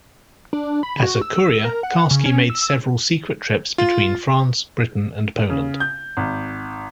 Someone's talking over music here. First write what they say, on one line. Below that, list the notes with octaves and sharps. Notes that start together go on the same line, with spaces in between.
As a courier, Karski made several secret trips between France, Britain and Poland.
D4
B5
F#4
E6
A#4
F#5
C#3
C#4
E6
F4
C#3
G6
G#1